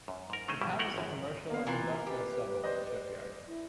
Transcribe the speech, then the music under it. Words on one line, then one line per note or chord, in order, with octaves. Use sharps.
The town is a commercial and industrial suburb with shipyards.
F#2
G#2 A#4
D#3 A3 C#4 G#4 C5 D#5
G2 B2 G3 E4
A3 E4 A#4 F#5 G5
G#1 F#2
A#3 B3 F5
C3 E3 F4 A#5
G4 B4
C5 D5 D#5
E4